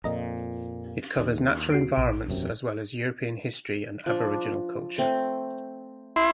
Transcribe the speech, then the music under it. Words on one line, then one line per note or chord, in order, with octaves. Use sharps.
It covers natural environments as well as European history and Aboriginal culture.
F2 A#2 D#5 A#5
D#2
F#4 C7 D7
A#1 D7
E1 F#2 C3
F3 D4
A3 C4
E4 C6